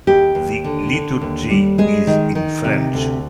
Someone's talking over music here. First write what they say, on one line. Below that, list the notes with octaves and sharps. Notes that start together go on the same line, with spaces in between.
The liturgy is in French.
D#2 G4
D#2
D3
D3
D#2
G3
G#3 G#4
D#3
D#3
C3
D2